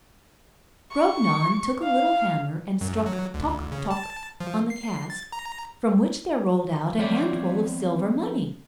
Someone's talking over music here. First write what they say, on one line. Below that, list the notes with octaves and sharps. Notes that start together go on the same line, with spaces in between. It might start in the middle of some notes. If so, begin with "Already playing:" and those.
Grognon took a little hammer, and struck "toc, toc," on the cask, from which there rolled out a handful of silver money.
C#6
F5
F#2
F#3
D2
C#3
A5
F3
C7
A6
A#5
F3 B3 C4 C#5 D5 E5